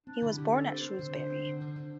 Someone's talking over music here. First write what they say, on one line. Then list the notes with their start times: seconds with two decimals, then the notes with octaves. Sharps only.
He was born at Shrewsbury.
0.06 C4 D4
0.22 D3 E4
0.38 D3 G4
0.53 C4 A4
0.68 C4 C5
0.83 C4
0.99 D3
1.15 D3
1.30 C4
1.45 D3
1.61 D3
1.76 D3